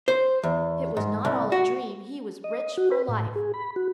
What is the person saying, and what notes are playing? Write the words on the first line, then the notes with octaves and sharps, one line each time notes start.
If it was not all a dream, he was rich for life.
C5
E2
G#2
C2
F#4
D#5
F#4
B4
A2
G#4
B5
F#4